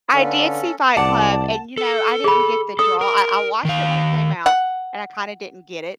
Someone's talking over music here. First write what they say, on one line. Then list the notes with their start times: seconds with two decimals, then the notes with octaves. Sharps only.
I did see Fight Club, and, you know, I didn't get the draw. I I watched it when it came out, and I kinda didn't get it.
0.14 D3 C#4 A4 B4 F5
0.97 C2 D5 F#5 A5
1.78 A4
2.24 G#4 B5
2.79 A4 D#6
3.01 A#4
3.65 D#3 F5
4.46 F#5